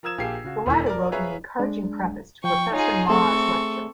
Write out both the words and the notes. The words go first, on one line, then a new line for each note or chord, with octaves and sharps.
The latter wrote an encouraging preface to "Professor Mmaa's Lecture".
F3 A#4 D#6 E6 G#6 E7
A#1 A#3 G4 G#4 C7
C#3 F#4
E1 E2 E4
A#4 D5
G#4 B4 C#5 E5 F5 A#5
G#3 D4
F3 G5 C#6
D#4 F4 G#4 C#5 G#5
A3 C4 G#4 A4 E5 C#6